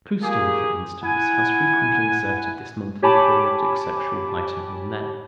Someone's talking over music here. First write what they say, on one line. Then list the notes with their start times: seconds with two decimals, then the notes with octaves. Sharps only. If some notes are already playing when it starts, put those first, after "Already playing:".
Clouston, for instance, has frequently asserted this monthly periodic sexual heightening in men.
0.22 A#3 F4 G4 G#4
1.02 E4 F#5 G#5
3.02 G4 C#5 G#5 A5 B5 D6